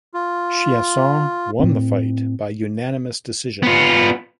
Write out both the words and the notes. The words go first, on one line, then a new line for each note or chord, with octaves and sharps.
Chiasson won the fight by unanimous decision.
F4
A2 C4
B3 F4